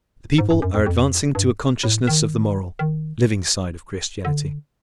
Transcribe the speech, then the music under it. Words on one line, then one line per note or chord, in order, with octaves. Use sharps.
The people are advancing to a consciousness of the moral, living side of Christianity.
G#2
G2
F#2
F2
F2
G2
A2
D#3
D#3
D3